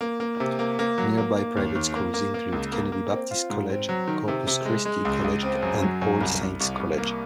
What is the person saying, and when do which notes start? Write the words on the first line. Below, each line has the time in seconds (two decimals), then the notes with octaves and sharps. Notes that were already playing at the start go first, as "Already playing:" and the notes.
Nearby private schools include Kennedy Baptist College, Corpus Christi College and All Saints' College.
0.01 A#3
0.20 A#3
0.40 C3
0.59 A#3
0.79 A#3
0.98 F#3
1.18 A#3
1.36 A#3
1.57 D#2
1.75 D#2
1.95 A#3
2.14 A#3
2.34 A#3
2.52 C#2
2.72 A#3
2.92 A#3
3.10 C4
3.31 F4
3.50 G#2
3.70 C4
3.89 F#3
4.07 D#3
4.28 C3
4.47 C3
4.65 G#3
4.85 G#3
5.05 C#2
5.24 C#2
5.43 C4
5.62 F#2
5.82 F#3
6.01 F#2
6.20 C2
6.41 C2
6.60 C2
6.80 C2
6.98 A#3